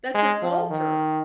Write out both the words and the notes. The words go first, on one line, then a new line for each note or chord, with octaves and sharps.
that's your culture.
G#3
F3
D#3